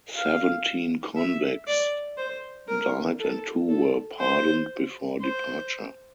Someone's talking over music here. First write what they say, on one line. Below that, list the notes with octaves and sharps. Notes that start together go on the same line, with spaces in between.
Seventeen convicts died and two were pardoned before departure.
F5
E5
D5
C5
A#4
A4
A4
C5
C5